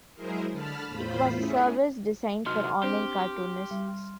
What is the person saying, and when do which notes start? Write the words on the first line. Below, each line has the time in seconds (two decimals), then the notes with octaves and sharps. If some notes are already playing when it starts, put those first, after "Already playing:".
It was a service designed for online cartoonists.
0.15 F#3 G#3 E4 G#4 A#4 C5
0.51 D3 A5 B5 F6
0.87 E2 A2 F4 C5 B5
1.35 A3 C#4 E4 G#4
2.46 C3 F#3 D#5 C6 F6
2.83 C4 D4 G4 C5
3.71 G3